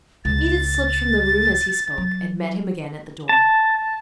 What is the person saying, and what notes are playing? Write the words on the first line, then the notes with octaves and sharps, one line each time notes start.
Edith slipped from the room as he spoke, and met him again at the door.
C#2 A6
F#3
A5